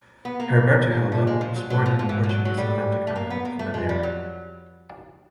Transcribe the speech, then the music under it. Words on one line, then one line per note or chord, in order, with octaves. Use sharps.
Herberto Helder was born in the Portuguese Atlantic island of Madeira.
B3
A#3
B2
A#2
A#2 A3
G#3
F3
F#3
A2 F#3
F3
G#2 F3
E3
F3
F#3
F#3
A2 G3
A3
A#3
B3
A#3
A3
F2 G#3
G3
F#3